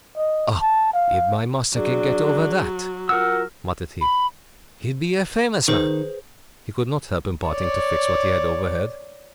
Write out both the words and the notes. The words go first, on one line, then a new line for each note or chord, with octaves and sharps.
"Ah, if my master can get over that," muttered he, "he'll be a famous man!" He could not help imparting to Fix what he had overheard.
D#5
A5
F5
F#3 D4 G#4
F4 A#4 F#5 E6
B5
D#3 G#4 B4 C5
C#5 D5